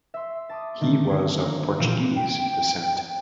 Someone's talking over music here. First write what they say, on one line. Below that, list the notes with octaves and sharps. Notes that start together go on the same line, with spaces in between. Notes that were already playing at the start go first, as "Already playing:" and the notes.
He was of Portuguese descent.
E5 C6
A5 D6 D#6
D3 D#3 A3 D4
G#6
A#3
A#2 E3 F#3 F4 G4
G5